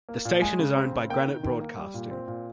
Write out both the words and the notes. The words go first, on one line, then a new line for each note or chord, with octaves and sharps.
The station is owned by Granite Broadcasting.
A#3
A#2
G#3 G#5
C#3
C4
C#3
A#3 G5
D#3
D#3
A#3
G3
A#2
C4
A#2